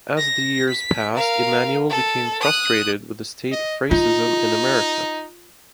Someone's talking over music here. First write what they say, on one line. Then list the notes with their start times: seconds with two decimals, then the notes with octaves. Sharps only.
As the years passed Emanuel became frustrated with the state of racism in America.
0.18 A#6
0.70 B6
1.16 A#4 F5
1.90 A4
2.41 D#6 F#6
3.52 D#5
3.91 D#4 F4